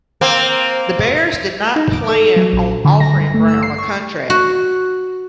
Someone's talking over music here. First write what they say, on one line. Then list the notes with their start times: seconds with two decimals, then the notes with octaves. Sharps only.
The Bears did not plan on offering Brown a contract.
0.21 A#3 C4
1.76 D#4
1.93 D6
2.09 A4
2.36 F#3
2.53 A#1
2.85 D3
3.00 A#6
3.16 G2
3.34 A3
3.48 E6
3.63 C7
3.78 C#6
4.30 F#4